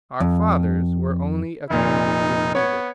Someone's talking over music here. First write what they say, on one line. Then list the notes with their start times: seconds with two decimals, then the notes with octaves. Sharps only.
Our fathers were only acquainted with egotism.
0.20 F2
1.70 F1 A#2 D#4
2.55 B3 C#5